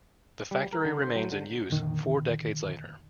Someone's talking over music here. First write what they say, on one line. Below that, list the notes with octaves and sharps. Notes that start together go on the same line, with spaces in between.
The factory remains in use four decades later.
G3
A#4
D3
C5
F#3
D3
F2 A#2 D3 D#3